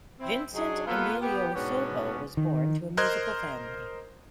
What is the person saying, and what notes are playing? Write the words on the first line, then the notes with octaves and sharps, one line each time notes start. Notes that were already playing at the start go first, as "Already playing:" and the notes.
Vicente Emilio Sojo was born to a musical family.
C4 E4
F#3 D4 D#4 G#4
A#3 B3 F4 A4 B4
B3 G4
G#2 B2 B3 C#4 D4 F#4
D#3
A#4 C5 D#5 C6 F#6 G#6